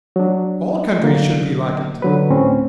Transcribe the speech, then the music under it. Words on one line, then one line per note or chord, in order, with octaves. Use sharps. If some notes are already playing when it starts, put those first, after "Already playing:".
All countries should be like it!
F#3 D4
D3 F#3 A#3
D3 F#3 B4
D2 A2 C4 C#4